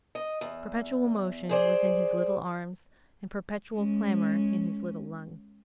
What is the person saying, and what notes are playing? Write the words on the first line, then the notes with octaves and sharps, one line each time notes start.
Perpetual motion was in his little arms and perpetual clamor in his little lungs.
D#5
E2
G#4 C5 D5
G#3 C#4